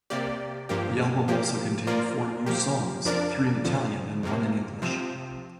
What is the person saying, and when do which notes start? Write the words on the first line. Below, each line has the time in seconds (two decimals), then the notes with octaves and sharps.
The album also contained four new songs; three in Italian and one in English.
0.10 C3 A#3 G4 D5
0.69 G2 F3 A#3 G4
1.28 F3 A#3 G4
1.87 F3 A#3 F4 A#4 D5
2.46 F3 A#3 G4
3.05 F2 F3 D4 A#4 D5
3.65 F2 D3 F3
4.23 F2 C3 A#3
4.82 C3 F3 C4